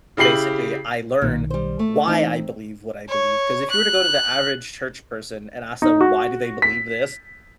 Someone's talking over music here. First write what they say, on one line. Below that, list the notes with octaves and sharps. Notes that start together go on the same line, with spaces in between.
Basically, I learn why I believe what I believe, ‘cause if you were to go to the average church person and ask them why do they believe this?
C#3 E4 G4 C7 F#7
B1 A#2 D#3
G3 C5
A3
E3 C4 D#4
C#5
F#6
D#4
F#4
B6